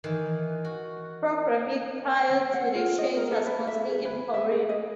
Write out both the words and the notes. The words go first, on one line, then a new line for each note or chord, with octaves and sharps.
Programming prior to the change was mostly in Korean.
D#3 E3
F#4
F#5
F4
D#5
A#4
A4
B4
E5
G#4
B4
E5
G#4
D#5